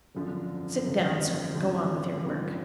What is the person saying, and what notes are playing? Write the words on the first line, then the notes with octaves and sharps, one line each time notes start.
"Sit down, sir, and go on with your work."
G#1 F#2 D3 F3
G#1 F#2 D3 F3
G#1 F#2 D3 F3
G#1 F#2 D3 F3